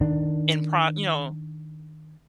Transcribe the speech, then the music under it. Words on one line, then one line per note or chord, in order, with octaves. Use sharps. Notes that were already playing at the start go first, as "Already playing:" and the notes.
in pro you know.
D#3 D4